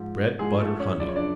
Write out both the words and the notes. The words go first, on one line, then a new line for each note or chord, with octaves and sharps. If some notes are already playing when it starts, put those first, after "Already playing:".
Bread, butter, honey.
Already playing: G#2 F3
G#2 F3 G#3 G#4
A3 A4
C#4 C#5
F#2 C#3 F3 D5
C#5
D4 D5